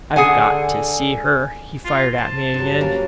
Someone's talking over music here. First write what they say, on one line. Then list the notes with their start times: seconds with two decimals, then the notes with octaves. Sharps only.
"I've got to see her!" he fired at me again.
0.16 D3 G#4 F#5 G#5
1.85 F4
2.18 C5 A5
2.54 G2 F#3
2.80 A#3 C#4 B4